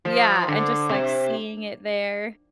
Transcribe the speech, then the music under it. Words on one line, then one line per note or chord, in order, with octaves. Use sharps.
Yeah, and just like seeing it there.
F3
D3
C3